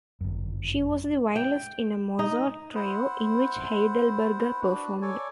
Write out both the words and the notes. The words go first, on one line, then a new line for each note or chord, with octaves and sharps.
She was the violist in a Mozart trio in which Heidelberger performed.
G1 F#2
G5
D#4
E4 C5 F#5
D4 F#4 B4
A4 C#5 D5 G#5